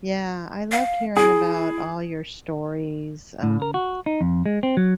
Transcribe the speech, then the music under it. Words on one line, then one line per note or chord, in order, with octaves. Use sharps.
yeah, I loved hearing about all your stories, um,
F5
E4 G#4
A2
A#4
F#4
D#4
F2
G#3
C4
F#3